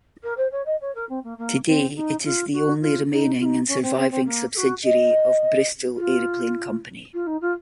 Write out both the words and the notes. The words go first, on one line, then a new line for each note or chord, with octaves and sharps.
Today it is the only remaining and surviving subsidiary of Bristol Aeroplane Company.
A#4
C5
C#5
D#5
C#5
A#4
C4
A#3
A#3
C4
D#4
F4
F#4
F4
D#4
F4
D#4
C#4
C4
C4
C4
A#3
A4
F#4
D#5
F4
F4
D#4
F4